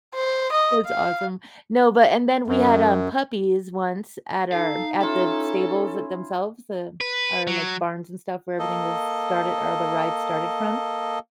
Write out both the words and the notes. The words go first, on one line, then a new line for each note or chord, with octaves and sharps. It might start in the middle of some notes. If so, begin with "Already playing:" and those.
That's awesome. No, but and then we had, um, puppies once at our at the stables at themselves, uh, our, like, barns and stuff where everything was started or the ride started from.
C5
D#5
F5
F#2
D#4 A4 F5
C#4 E4 F4 A4
B4
F#3
A#3 A4 D#5